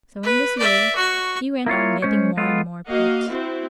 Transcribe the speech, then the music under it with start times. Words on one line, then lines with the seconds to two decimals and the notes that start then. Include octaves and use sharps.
So in this way he went on getting more and more pets.
0.23 B4
0.59 D5 E5
0.96 F#4 C#6
1.66 A#3 E4 F4 C#5
2.02 G#3 A3 C#4 C5 C#5
2.37 G#3 B3 F4 A4
2.87 A#3 F#4 D#5 F5
3.25 C4 E4 F#4